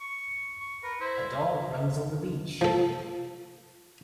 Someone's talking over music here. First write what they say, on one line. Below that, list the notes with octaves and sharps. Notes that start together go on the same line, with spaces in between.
A dog runs on the beach.
C#6
C#6
A#4 B4
E4 C5
F3 A4